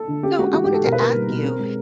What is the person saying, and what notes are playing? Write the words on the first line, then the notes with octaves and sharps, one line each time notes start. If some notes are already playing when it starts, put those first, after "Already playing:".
So I wanted to ask you,
Already playing: A4
D3
C#4 G4
G#3 F#4
E3 F#4
G#2 G4
A4
B2 A#4
B4
A#3 A#4
G3
B2
C4
G#3